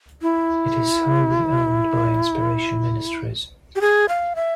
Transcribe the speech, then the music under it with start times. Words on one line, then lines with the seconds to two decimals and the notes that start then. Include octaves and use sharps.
It is wholly owned by Inspiration Ministries.
0.22 E4
3.76 G4
3.81 G#4
4.09 F5
4.36 E5